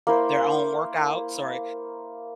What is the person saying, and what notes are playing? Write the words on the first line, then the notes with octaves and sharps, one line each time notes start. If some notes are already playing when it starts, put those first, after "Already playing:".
their own workouts, or
A#3 E4 C5